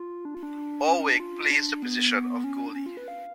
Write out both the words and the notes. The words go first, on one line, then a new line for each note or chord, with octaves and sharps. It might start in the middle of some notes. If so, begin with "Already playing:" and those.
Orwig plays the position of goalie.
Already playing: F4
D4
F4
D4
C#4
C#4
D4
F4
D4
B3
C#4
C#4
D4
C#4
F4
B4
F5